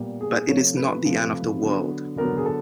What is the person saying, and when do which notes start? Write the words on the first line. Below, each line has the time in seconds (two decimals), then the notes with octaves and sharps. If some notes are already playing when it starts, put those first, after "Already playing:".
But it is not the end of the world.
Already playing: A#2 G3 B3
0.21 G#4
0.49 C3 F3 A3 C#5
0.77 B4
1.05 C3 F3 A3
1.62 D3 F#3 B3
2.17 D3 F#3 B3 A#4
2.37 G#4
2.46 A4